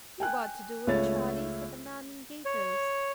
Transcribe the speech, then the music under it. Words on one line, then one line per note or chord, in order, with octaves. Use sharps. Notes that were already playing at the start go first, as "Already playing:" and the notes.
"You got to do it, Charlie," said the man in gaiters.
G5 G#5 F#6
C#2 A3 C#5 A6
C#5